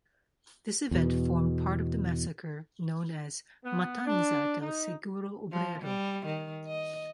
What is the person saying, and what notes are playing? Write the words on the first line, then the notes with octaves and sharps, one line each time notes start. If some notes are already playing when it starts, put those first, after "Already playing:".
This event formed part of the massacre known as "Matanza del Seguro Obrero".
E2 B2
B3
D4
D#4
F3
G3
D#3
D#5